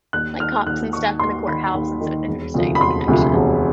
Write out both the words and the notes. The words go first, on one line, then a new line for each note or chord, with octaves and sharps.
like, cops and stuff in the courthouse, and so it's interesting the connection.
D#2 F#6
D#3 F6
D#2 F#6
D#3 C#6
D#2 C6
D#3 B5
D#2
D#3
E1
D2 C3 F3
B5
E1 C6
D2 C3 F3
E1